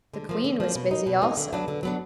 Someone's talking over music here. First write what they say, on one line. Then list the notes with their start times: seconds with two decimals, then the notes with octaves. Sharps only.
The Queen was busy also.
0.13 D3
0.29 F3 A#3
0.44 D3
0.60 F3 A#3
0.75 B2
0.91 A#3 D#4
1.06 B2
1.22 A#3 D#4
1.37 D3
1.52 F#3 B3 D4
1.68 D3
1.83 F#3 B3 D4